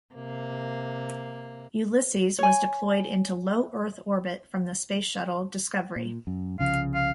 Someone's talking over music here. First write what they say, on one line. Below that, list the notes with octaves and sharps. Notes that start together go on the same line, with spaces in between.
"Ulysses" was deployed into low-Earth orbit from the Space Shuttle "Discovery".
C3 A#3
C#5 G#5
A#2
F#2
C2 C#3 F3 F5
F5